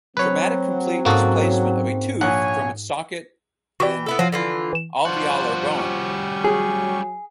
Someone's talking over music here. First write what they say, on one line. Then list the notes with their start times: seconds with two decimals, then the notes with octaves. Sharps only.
Traumatic complete displacement of a tooth from its socket in alveolar bone.
0.17 F#3 A3 C4 B4 C#5
1.05 G#2 A#3 C#4 F#4 A4 D#6
2.21 A#1 C#5 F#5 G#5
3.80 E3 F#4 G4 D5 G5
4.06 B3 E4 A4
4.19 F3 F#3 F4
4.32 D3 E3 F4
4.73 E3 E7
5.05 F3 G3 D4 F4 F#4 C5
5.77 C#4 G4 C#6
6.44 F#3 G#4